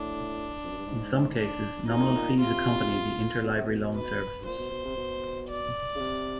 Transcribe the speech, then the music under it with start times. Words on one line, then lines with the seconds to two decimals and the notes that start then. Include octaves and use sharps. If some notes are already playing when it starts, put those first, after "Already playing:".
In some cases, nominal fees accompany the interlibrary loan services.
Already playing: A2 D4
0.63 F2
0.71 F#2
0.78 G2
0.86 G#2
1.38 D4
1.88 B2 D#4
1.98 A#2
2.07 A2
2.16 A#2
2.40 C3 F4
3.44 B2
3.55 C3
3.67 B2
3.95 B4
4.46 A#2 C5
4.58 B2
4.72 B2
4.85 C3
4.97 B2
5.49 D5
5.95 C#3
6.00 C3